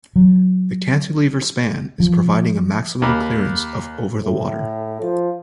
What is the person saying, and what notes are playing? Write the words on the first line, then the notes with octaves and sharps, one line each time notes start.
The cantilever span is providing a maximum clearance of over the water.
F#3
F3
D#2 B5
A2
F3